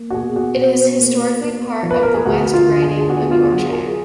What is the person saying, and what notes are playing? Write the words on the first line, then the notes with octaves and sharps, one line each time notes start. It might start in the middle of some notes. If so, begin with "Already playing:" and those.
It is historically part of the West Riding of Yorkshire.
Already playing: A#3
F#4
B2 G#4
F#4
B2
A#3
B3
F3
B4
A#4
G#4
D2 F#4
F4
D3
G#4
G#4
B3 F#4
F4
G#4
F#3 F#4
A#4
G#4